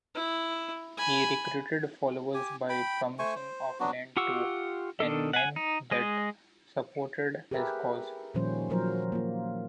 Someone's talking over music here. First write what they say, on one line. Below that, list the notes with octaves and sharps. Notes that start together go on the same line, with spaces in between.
He recruited followers by promising of land to any man that supported his cause.
E4
G#5 B5
G4 G#5
G5 B5
A3 C5 G#5 C#6
C5
F#3 B3 D4 F#4
F4 G4 F#5 C#6 E6
D#3 D4 A4
F#5 G#5
D#4
G#3 D#5
G4 G#4 A#4 B4 E5
A#2 D#3 F3 G3 C#4 C5
F3 F#3 A#4 C5
A#3 F4